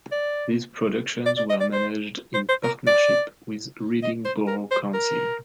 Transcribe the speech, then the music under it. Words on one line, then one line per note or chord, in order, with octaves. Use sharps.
These productions were managed in partnership with Reading Borough Council.
D5
D5
D5
D#5
D5
C5
C5
C5
A#4
D5
D#5
C5
A#4
C5
A#4